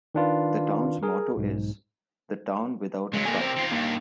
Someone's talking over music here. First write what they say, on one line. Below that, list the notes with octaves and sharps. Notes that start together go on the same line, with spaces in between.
The town's motto is "The Town Without A Frown".
D#3 D4 F4 B4
G#4 A#4
B1 G#2
C#3 F#3 G#3
C3 A#3 A4 A#4 G#5
C5 G5
D#3 F4
G2 D#3 A#3 D#4